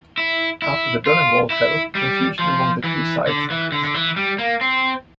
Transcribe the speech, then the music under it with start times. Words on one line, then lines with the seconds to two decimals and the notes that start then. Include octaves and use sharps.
After the Berlin Wall fell, confusion among the two sides increased.
0.18 E4
0.62 E4
1.06 F4
1.50 E4
1.95 G3
2.39 F3
2.84 E3
3.27 D3
3.50 E3
3.72 D3
3.84 D3
3.94 E3
4.16 G3
4.38 A#3
4.61 C4